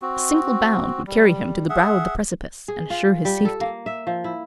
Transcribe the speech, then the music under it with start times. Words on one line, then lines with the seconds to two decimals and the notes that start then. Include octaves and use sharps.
A single bound would carry him to the brow of the precipice, and assure his safety.
0.02 C4 F#4
1.07 G3
1.69 G#4 E5 F#5
2.68 G#4
2.90 F4
3.25 G3
3.45 A4
3.61 A#3
3.86 E5
4.07 F3
4.24 E4